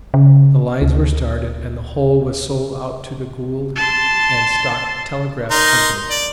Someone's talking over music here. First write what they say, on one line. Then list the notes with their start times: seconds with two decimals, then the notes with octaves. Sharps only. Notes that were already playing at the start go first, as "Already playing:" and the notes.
The lines were started, and the whole was sold out to the Gold & Stock Telegraph Company.
0.14 C#3
0.82 D2
3.76 A5 C6
5.51 D#4 A#4 C6
6.10 D5